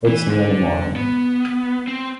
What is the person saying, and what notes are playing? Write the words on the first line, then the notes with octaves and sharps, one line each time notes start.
It's nearly morning.
E3
D3
B3
C4